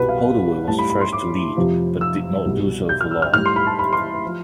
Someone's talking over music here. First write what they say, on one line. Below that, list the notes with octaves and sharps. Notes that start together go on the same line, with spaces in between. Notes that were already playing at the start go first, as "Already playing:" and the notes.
Holdaway was the first to lead, but did not do so for long.
Already playing: C2 B2 G3 B4
F5
A2 G3 A5
B5
B5
C6
D6
F2 C3 F3
E6
C2 B2 G3
G6
F6
E6
F6
A2 G3 F6
C6
B5
A5
B5
C6
F3